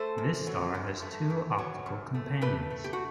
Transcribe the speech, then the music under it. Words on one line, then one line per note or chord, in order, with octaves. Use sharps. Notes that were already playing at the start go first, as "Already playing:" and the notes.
This star has two optical companions.
Already playing: A3 A4 C5
F#2
F#3
F#2
A3
F#2
F#3
F#2
A3
A3 G4 B4
A3
G4
F#4